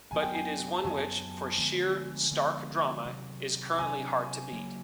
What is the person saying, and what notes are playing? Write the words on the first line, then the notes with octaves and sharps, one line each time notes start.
But it is one which, for sheer, stark drama, is currently hard to beat.
F#2 D#3 F#3 B3 G#5
G5
G#5
A5
F#2 D#3 F#3 B3 G#5
D3 F3 G#3 B3
D3 F3 G#3 B3
C3 D#3 F#3
C3 D#3 F#3 G#5
C#3 F#3 A#3